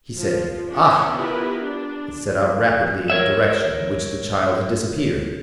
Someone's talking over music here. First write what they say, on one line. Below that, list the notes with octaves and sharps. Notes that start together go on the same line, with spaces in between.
He said, "Ah!" and set out rapidly in the direction in which the child had disappeared.
F3 F4
C#4 D4
B3 E4 F4 G4 A#4 B4
D4
A#4 C#5 E5